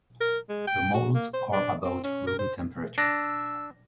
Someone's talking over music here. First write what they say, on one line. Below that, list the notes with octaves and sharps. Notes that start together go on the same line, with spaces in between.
The moulds are about room temperature.
A#4
G#3
G5
F#4
A#3
C5
D4
C4
C#4
A#4
C5
D4 E6 A#6